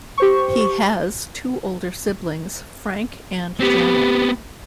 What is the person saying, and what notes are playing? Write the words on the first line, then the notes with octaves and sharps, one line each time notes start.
He has two older siblings, Frank and Janet.
G4 C5 C#6
B3 C4 G4